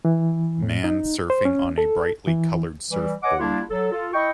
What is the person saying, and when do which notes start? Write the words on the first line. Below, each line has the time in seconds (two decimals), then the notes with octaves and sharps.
Man surfing on a brightly colored surfboard.
0.05 E3
0.62 A2
0.84 D#4
1.30 C5
1.45 C#4
1.78 A4
2.27 E3
2.91 E3 G3
3.23 B4 C#5 D#5 F#5 G#5 D6
3.39 G3 A#3 D4 E4 F4 G4
3.71 F#3 A4
3.92 F4 A4
4.13 E4 D#5 G5 C#6